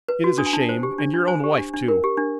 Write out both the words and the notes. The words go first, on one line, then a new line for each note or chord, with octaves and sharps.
It is a shame, and your own wife too.
B4
F#4
D4 D#6
G#5
D4 A5
C5
G4
D4
D4
C5 G#5
G4
D4
D4
A#4
G4
D4